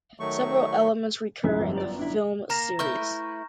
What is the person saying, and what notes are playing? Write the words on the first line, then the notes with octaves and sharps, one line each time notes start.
Several elements recur in the films series.
D#3 F#3 A3 C#6
C2 G#2 F3 C#4 E5
G1 F#2
G2 D5
D4 E4
A#3 A#5 A#6 E7
A3 E4 B4 C#6 F6 G6